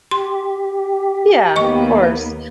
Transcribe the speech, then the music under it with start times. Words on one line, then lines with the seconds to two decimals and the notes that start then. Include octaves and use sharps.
Yeah, of course.
0.11 G4 C6
1.56 D#2 A#3 B3 D#5 C#6